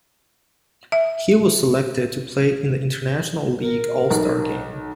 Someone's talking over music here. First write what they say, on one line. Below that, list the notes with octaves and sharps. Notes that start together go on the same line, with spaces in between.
He was selected to play in the International League All-Star game.
E5
A#4
B1